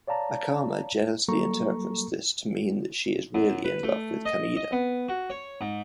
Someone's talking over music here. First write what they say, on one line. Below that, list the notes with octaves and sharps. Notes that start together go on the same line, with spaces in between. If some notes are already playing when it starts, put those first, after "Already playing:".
Akama jealously interprets this to mean that she is really in love with Kameda.
C#5 D5 F5 A5 A#5
F#3 G3 A#3 A4 A#5 C#6
F#2
B4
A3
D#5
D#5
B3
F#4
C#5
G#2